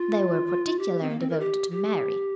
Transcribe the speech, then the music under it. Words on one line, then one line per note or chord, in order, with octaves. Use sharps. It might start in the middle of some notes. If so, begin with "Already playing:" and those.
They were particularly devoted to Mary.
Already playing: F4
G4
C4
A#3
C4
A#4
G4
G4